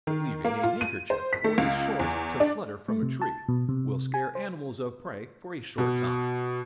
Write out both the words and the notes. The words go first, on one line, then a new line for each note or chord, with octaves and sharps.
Leaving a handkerchief or a short to flutter from a tree, will scare animals of prey for a short time.
D#3
A#3
F4
D#7
C5
B6
A3
C#2
E2
D4
A3
C3
A5
B2
C3
G#5
C5
B2